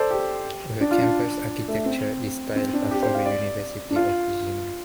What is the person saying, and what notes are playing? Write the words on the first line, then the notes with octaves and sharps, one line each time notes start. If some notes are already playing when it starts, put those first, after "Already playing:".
The campus architecture is styled after the University of Virginia.
Already playing: A4 C5 D5
G4
D4
F4
D4
A3
C4
C4
D4
G4
C5
F5
D5
D4
F4